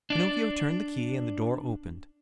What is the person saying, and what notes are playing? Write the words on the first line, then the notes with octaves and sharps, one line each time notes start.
Pinocchio turned the key and the door opened.
D4 D5